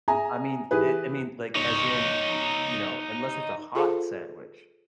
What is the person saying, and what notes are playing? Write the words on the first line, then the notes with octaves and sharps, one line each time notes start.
I mean, it I mean, like, as in eh, you know, unless it's a hot sandwich.
G#4 E5 G#5 A#5
E3 G4 G#4 B4
D#4 C#5
F4 G#4 A4 C5 F5